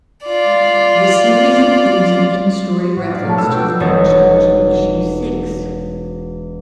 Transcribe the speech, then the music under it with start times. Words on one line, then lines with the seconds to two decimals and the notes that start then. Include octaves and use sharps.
The series includes an in-story reference to the name change in issue six.
0.24 F4 D5
2.96 A2 F#4
3.10 D4 D#4 D5 F5
3.25 B2 A3 A4 A#4 C#5 A5
3.38 B4 E6
3.52 D4 F4 F#4 B4 G5
3.80 E1 D#4 F#4 C#5 A6